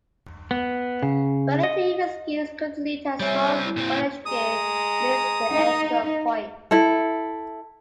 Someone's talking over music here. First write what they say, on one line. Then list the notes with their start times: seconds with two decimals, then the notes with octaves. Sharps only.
But the team's miscues continued as Rolf Benirschke missed the extra point.
0.51 B3
1.03 C#3
1.63 D#5
3.20 G3 C4 C#5 E5 G#5
3.64 E4
3.77 A#2 C4
4.26 G#3 A#5 D#6
5.51 D#4
6.71 E4 A4